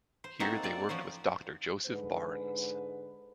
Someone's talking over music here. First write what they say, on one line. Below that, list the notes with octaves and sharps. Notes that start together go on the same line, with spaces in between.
Here they worked with Dr Joseph Barnes.
C5
A#3 C4 D#4 F#4 A4 C5
C4 F4 D5
F3 C#4 F#4 C5
G#2 D3 B4